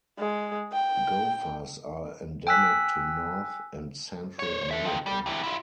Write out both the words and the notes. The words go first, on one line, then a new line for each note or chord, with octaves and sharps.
Gophers are endemic to North and Central America.
G#3
G5
G5 G#5 E6 F#6 B6
C5 C#5
D4 E5
D#3 F3
G3
C3 E3
E4 F4